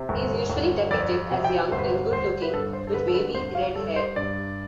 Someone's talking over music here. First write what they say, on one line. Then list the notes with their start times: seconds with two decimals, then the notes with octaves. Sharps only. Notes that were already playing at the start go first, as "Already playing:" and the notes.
He is usually depicted as young and good-looking, with wavy red hair.
Already playing: C3
0.09 G1
0.50 G1
0.91 F2 D5
1.31 C3
1.44 G5
1.72 G1 C5
1.79 B4
1.86 C5
2.12 G1 C5
2.42 B4
2.53 G2 A4
2.73 C5
2.87 A4
2.94 D3 B4
3.08 A4
3.14 B4
3.34 G1 C5
3.55 F5
3.75 G3 A4
3.96 C5
4.16 G2 D5